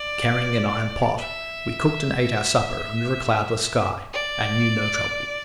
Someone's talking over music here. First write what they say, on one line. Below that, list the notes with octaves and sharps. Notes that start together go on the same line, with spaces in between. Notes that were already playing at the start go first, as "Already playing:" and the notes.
Carrying an iron pot, we cooked and ate our supper under a cloudless sky, and knew no trouble.
Already playing: D5
E5
D5